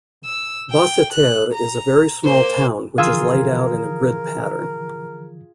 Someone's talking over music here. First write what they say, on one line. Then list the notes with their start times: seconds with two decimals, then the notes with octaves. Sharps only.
Basseterre is a very small town which is laid out in a grid pattern.
0.25 E6
0.71 G5
1.13 F#6
1.54 A#5
2.24 A#3 C5
2.98 D3 E3 F3 F4 G#4 A#4 F5 E6